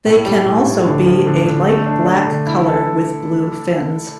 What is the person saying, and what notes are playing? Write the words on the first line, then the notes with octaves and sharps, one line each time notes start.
They can also be a light black color with blue fins.
A2
G3
A2
A2
D3
F3
D3
D3
A3
D4
D4
D3
E4
A4